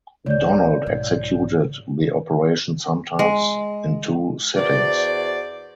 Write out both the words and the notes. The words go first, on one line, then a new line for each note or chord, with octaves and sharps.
Donald executed the operation sometimes in two sittings.
C#2 A2 C#5 D5 G6
B1 G#2
G#3
E2 F#4 C5 D5